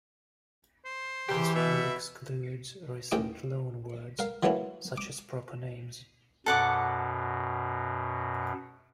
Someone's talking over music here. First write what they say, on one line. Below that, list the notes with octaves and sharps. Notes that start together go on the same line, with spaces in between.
This rule excludes recent loanwords such as proper names.
C5
E2 E3 G4
B2 E5
A1 D#2 D#3 G#5 D6
A#4 F5
E3 F#3 A3 A#3 C#4 E4
D6
F#2 B2 A4 F#5 D6